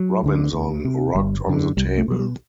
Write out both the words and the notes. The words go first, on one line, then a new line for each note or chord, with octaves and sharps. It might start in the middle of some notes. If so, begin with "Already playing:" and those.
Robinson rocked on the table.
Already playing: F#3
D2 D3
D2
C3
G1 G3
F#2 D3
C2 G3
A3
B2 F#3
G3